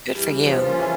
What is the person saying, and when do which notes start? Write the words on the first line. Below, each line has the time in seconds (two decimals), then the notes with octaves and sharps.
Good for you.
0.15 E3 G3
0.46 F3
0.62 A#3 C#4 F4
0.79 E3